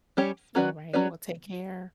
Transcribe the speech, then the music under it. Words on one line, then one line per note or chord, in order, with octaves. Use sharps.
Alright. Well, take care.
G3 C#4 G4 C#5
F#3 C#4 F#4 B4 D5
F#3 C#4 F#4 B4 D5